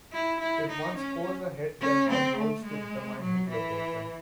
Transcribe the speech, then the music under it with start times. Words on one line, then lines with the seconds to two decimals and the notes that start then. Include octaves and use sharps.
If one scores a hit, then one rolls to determine hit location.
0.13 E4
0.41 E4
0.69 D#4
0.97 C#4
1.81 C#4
2.10 C4
2.38 A3
2.65 G#3
3.22 F#3
3.49 E3